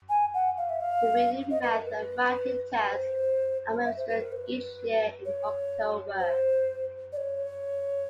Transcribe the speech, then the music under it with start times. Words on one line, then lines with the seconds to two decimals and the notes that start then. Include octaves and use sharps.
The reading, math and writing tests are administered each year in October.
0.09 G#5
0.34 F#5
0.57 F5
0.69 E5
0.81 F5
1.51 D#5
1.63 B4
1.73 A#4
1.86 B4
2.82 B4
2.92 C5
3.85 E5
3.97 C5
4.09 B4
4.21 A#4
4.32 C5
4.36 B4
5.26 C#5
6.20 C5
7.13 D5
7.17 C#5